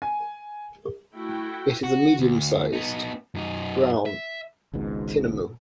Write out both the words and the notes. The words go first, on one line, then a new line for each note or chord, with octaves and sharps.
It is a medium-sized, brown tinamou.
G#5
A3 E4 F#4 G5
F#4
D2
B3 D#4
F#2 D#4
E5
G#1 C#2 G#2 B2